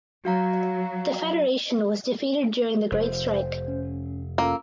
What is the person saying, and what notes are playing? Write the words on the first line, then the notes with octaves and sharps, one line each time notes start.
The Federation was defeated during the Great Strike.
F#3 F#4 F5 A#5
F1 C5
C#4
A#3 C#4 F4 A4 E6